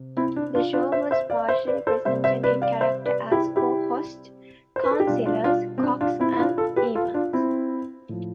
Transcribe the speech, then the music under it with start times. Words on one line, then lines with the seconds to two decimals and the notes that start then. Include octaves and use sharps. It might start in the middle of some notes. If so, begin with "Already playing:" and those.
The show was partially presented in character as 'co-hosts' Councillors Cox and Evans.
Already playing: C3
0.17 C4 E4
0.36 D4
0.55 D4 F4
0.73 D4 F4
0.92 C5 E5
1.11 C5 E5
1.30 D5 F5
1.49 C5 E5
1.67 B4 D5
1.87 A4 C5
2.05 C3 G3 C5 E5
2.24 C5 E5
2.43 B4 D5
2.62 D5 F5
2.81 C5 E5
3.06 B4 D5
3.32 E4 G4
3.56 E4 G4
4.76 C5
4.84 B4
4.91 A4
5.00 G4
5.07 B2 G3 D4 F4
5.26 D4 F4
5.44 D4 F4
5.78 C4
5.83 D4
6.01 D4 F4
6.20 C4 E4
6.33 E4
6.39 D4 F4
6.57 F4 A4
6.76 G4 B4
6.95 F4 A4
7.14 D4 F4
7.33 C4 E4
8.09 A2 F3